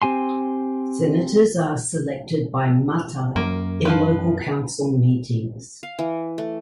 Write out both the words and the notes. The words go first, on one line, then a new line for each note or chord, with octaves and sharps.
Senators are selected by matai in local council meetings.
C4 G4 G#5 C6
F#2 A#3
F3 F4 B4
F5
E3
A3